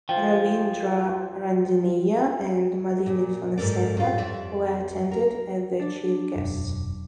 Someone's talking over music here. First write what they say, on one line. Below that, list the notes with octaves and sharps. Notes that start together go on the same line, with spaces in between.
Ravindra Randeniya and Malini Fonseka were attended as the Chief Guests.
F3 G5
A#2
G#2 A4 A#4 D5
A2 G3 F4
F2 G3 D5 E5
A#4
D4
E1 F#2